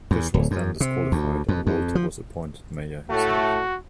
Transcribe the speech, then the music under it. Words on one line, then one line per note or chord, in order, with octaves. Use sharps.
Fish was then disqualified and Walter was appointed mayor himself.
E2
D1
F#2
C3
D2
F2
F2
F3
A2 A3 F#4